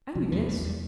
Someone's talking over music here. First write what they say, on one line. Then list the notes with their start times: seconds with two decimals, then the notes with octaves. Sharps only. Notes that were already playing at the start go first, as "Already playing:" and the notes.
"Oh, yes."
0.15 C3 F3
0.32 E2 F3
0.48 E2 G3
0.64 G3